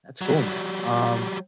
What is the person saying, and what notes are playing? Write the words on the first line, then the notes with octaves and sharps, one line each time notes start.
that's cool, man. Um
F#3 G3